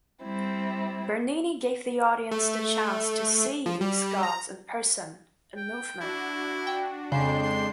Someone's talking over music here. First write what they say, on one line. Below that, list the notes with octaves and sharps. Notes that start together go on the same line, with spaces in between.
Bernini gave the audience the chance to "see" these gods in person; in movement.
G3 C4 E4
A3
F3
G3
A#5
G5
D4 E4 F#4
G5
F2 C#3 G#3 D4 C6 G6
C6